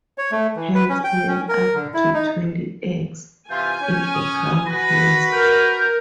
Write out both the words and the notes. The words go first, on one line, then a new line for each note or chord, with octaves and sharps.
Hens lay up to twenty eggs in a ground nest.
C#5
A3
E3
B4
C#4
G5
C#4
A#4
D3
E4
D#4
C3 E3 F4 G#5 G6
C#4
D#6
F#4 B4 A#6
A#4 G6